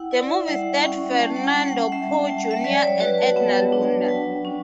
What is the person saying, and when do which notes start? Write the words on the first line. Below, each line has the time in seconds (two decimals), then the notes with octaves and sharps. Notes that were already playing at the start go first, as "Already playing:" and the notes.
The movie starred Fernando Poe Junior and Edna Luna.
Already playing: E4 F#5 G5
0.11 E4 D5
0.29 E5
0.48 G3 F#5
0.84 C#4 G5
1.19 G3 A5
1.36 F#5
1.43 G5
1.56 G3 G5
1.68 F#5
1.92 G3 E5
2.13 A5
2.25 G3 G5
2.38 F#5
2.51 E5
2.64 F#3 D5
2.82 C#5
3.00 F#4 B4
3.18 A5
3.30 F#5
3.36 B3 G5
3.72 D4
4.08 F#3 G5
4.45 C#4